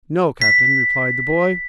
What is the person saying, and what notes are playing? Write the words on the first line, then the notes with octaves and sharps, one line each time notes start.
"No, captain," replied the boy.
B6